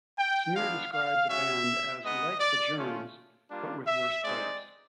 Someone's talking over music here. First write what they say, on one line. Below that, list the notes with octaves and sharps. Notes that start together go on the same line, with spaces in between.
Smear described the band as "like the Germs, but with worse players".
G5
B3 D4 F4 F5
F5
G#3 C#4 F#4 E5
G#3 B3 D#4 D#5
D5
A3 C#4 F4
G3 A#3 D4 F4
E5
G#3 C4 D#4 D5